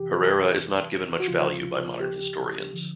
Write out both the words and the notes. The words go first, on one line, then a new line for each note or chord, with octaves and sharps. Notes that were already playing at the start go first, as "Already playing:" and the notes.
Herrera is not given much value by modern historians.
Already playing: F2 C3 E3 G4
F#4
D#2 C#3 F3 F4
G4
D3 F3